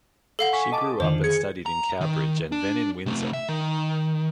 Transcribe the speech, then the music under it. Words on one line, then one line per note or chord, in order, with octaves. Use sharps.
She grew up and studied in Cowbridge and then in Windsor.
A4 F5 F#5
G#5 C#6 B6
D#5 A5 D6
F2 D3 D#3 C5
G#4 G#6 C#7
A#5
D#3
D4
C3 A3
E5
D#3